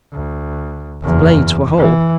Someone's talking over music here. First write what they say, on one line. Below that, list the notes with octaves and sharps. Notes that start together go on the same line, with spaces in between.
The blades were whole.
D2
F#1 E2
E3